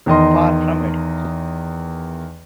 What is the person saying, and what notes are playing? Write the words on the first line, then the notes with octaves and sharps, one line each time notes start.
Far from it.
E2 D#3 D#5 C6